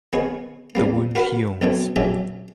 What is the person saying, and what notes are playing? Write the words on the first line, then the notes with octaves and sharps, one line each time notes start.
The wound heals.
D#3 B3 G#4 C#5
E2 G3 A#3
F#4 A#4 B4 F#5 B5
B1 F#2 B2 C#5 G5
A#1 F#3 C#4 E5 G5 D6